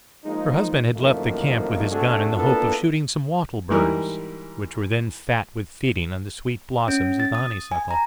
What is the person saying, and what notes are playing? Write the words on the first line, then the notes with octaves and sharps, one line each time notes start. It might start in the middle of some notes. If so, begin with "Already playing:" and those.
Her husband had left the camp with his gun in the hope of shooting some wattle birds, which were then fat with feeding on the sweet blossoms of the honeysuckle.
F3 G#3 A#3 D#4
C2 F#2 D#3 F3 A3 A#3
C3 A3 D4 F#4 G#4 A4
A#3 B3 D4 E4 F4 A4
G#2 E3 G3 A#4
C#4
A6
D#6
G#5
A#5